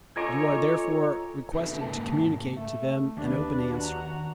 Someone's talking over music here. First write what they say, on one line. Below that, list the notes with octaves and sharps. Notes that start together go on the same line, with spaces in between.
You are therefore requested to communicate to them an open answer.
C#4 F4 A4 C#5 D#5 G#5 A#5 D6
D#4 A4 B4 E5
G#2 C#3 A#3 A5
A3
D#2 D4 B4
F#4 A#5